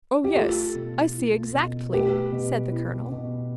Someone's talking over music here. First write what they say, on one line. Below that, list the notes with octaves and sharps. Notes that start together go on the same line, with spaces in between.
"Oh yes, I see exactly," said the colonel.
G4
A3 F4 A4
B2
E4
B2
A3 G4 B4
B2
E4
B2